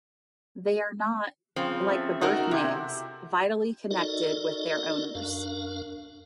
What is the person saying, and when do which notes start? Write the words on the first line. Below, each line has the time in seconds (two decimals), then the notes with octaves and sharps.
They are not, like the birth-names, vitally connected with their owners.
1.56 C#3 F3 B3 C4
1.88 A4 E5
2.21 D#4 F#4 A#4
2.51 C3 E4 G4 C5
3.91 D#4 F#4 A4 A#4 D5 D#5
5.15 F#2 D4 A#4 F5